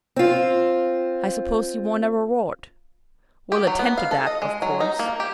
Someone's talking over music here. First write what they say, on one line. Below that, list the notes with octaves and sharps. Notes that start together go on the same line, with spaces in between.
I suppose you want a reward--we'll attend to that, of course.
C4 F4
G4
F#3
B3
F5
A4
D#5
G#3
F#3
D#4
A#3
G4